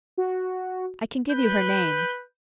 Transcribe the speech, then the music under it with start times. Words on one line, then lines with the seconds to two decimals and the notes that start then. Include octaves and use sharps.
I can give you her name.'
0.18 F#4
1.29 B4 G6